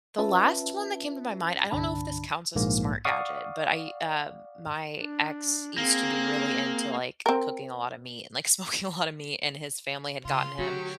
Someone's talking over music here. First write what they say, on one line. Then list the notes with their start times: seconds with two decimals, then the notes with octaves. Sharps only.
the last one that came to my mind, I don't know if this counts as a smart gadget, but I, uh my ex used to be really into, like, cooking a lot of meat and, like, smoking a lot of meat, and his family had gotten him
0.18 C#4 F4 B4 E5 A5
1.71 C2 G2 D3 D4 A5 B5
2.55 A#1 G#2 A#3
3.05 D5 F5 F#5 C#6 D#6
5.01 D4
5.78 A#3 C4 G#4
7.26 C4 A#4
10.25 C#3 F4 C6
10.59 D3 F#3 A3 F#4 G4